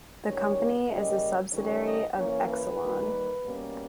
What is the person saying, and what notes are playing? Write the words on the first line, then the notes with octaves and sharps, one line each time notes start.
The company is a subsidiary of Exelon.
D#3 G3 C#4 C#5
C#3 G3 A#3 C#4 D#5
D#3 G3 C#4 C#5
D#5
E3 A#3 C#4 C#5
B4
D#3 G3 A#3
B2 G3 A#3 C#4